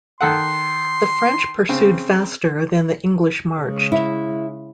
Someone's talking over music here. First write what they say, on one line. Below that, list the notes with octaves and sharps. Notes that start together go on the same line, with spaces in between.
The French pursued faster than the English marched.
D#3 A4 F#5 C6
C#3 C4
C#3 G#3
E4